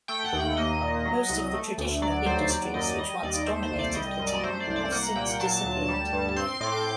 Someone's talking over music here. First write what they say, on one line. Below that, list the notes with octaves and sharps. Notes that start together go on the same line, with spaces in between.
Most of the traditional industries which once dominated the town have since disappeared.
A3 G5
F#5
D#2
G5
A#3 D#5
A#2
F#3
C2
A3
D2
F#3 D5
D#2 C5
F#3 D5
F#2 D#5
G3 D#5
D#2 D5
A3 C5
C5
C2
D5
G3 D#5
D#5
F#2
D5
A3 C5
D5
C2
D5
A#3 F#5
A#2 G5
F#3 A5
D2
G3
G2
C4 C6
A2 D6